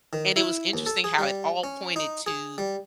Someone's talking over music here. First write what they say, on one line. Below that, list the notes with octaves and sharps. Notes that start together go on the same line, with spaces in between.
and it was interesting how it all pointed to
D#3
E4
D#2
A4
G#4
G3
C#4
D#4
G#4
G3